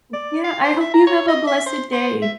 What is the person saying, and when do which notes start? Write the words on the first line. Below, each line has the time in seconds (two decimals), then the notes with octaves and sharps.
M yeah, I hope you have a blessed day.
0.14 D5
0.44 F5
0.64 C5
0.80 E5
0.94 A#5
1.07 C#5
1.28 D#5
1.47 E5
1.66 C5
1.93 C5
2.22 E5